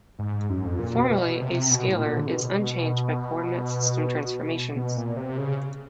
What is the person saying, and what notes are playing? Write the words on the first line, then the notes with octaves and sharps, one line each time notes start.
Formally, a scalar is unchanged by coordinate system transformations.
G#2
F#2
F2
A#2
B2
B2
C3
B2
A2
A#2
D3
C3
B2
B2
A#2
C3
C#3